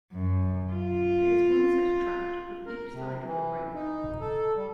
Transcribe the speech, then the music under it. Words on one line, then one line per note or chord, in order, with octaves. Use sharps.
There is one such tract on each side of the brain.
F#2
F4
A#4
C3
E3
D#4
A4
G3